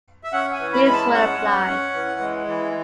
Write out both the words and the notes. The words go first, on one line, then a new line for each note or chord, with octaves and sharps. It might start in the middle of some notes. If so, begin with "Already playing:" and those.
These were applied.
E5
C#4 F#5
G#5
E3
B5
G#3 B5
A5
C#4 F#5
C#4
C#4
E3
G#3
E3